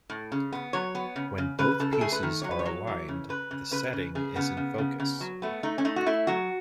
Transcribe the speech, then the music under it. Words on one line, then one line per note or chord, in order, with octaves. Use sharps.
When both pieces are aligned the setting is in focus.
A2
C#3
B3
F#3 C#5
B3
C#3
C#3
C#3 B4
C#3 A4
A4
A3 G#4
B4
D#3
F#3 C#5
B4
C#5
F#3
E3
C#3
C#3 B4
C#3
C#3 B4
C#3
C#3 G#4
C#3 B3
C#3
C#3
C#3
F#3
A3 B3
A3 D#4
C#4
A3 D#4
F#4
A3 E4
F#3 F#4